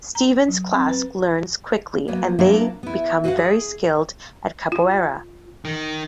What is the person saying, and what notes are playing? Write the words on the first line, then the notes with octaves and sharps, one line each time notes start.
Stevens' class learns quickly, and they become very skilled at Capoeira.
A#5
F#3
C4
B4
F#3 A#3 B3
F#3 A#3 B3 D4 E4 F4
B3 E4
F#4 B4 C5 D#5 F5 F#5
G#4
F4
D#3